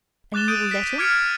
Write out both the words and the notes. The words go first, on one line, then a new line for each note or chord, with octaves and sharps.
"And you will let him?"
D6 F#6 A6 E7 G7
D#6 G6 D7 D#7
B6 D7
D6 F6 G#6 C#7 D7